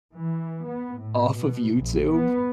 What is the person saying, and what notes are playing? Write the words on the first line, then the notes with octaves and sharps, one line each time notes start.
off of YouTube,
E3
B3
A2
B2
A#1
B3